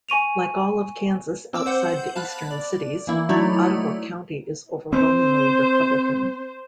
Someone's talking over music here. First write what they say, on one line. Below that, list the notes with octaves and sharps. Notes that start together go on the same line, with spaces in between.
Like all of Kansas outside the eastern cities, Ottawa County is overwhelmingly Republican.
G#5 C#6 D#7 F7
C4 D6 E6
C5 F#5 G6
F5 A5 B5 F#6
D5
E3 A#3 E4
F#3 A3 D#4 E4 C#5 D5
C4 C5